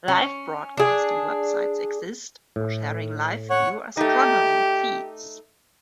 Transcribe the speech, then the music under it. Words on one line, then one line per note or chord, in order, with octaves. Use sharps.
Live broadcasting websites exist for sharing live video astronomy feeds.
C#4
D4 G#4
A2
C#5 F#5
A3 D#4 G4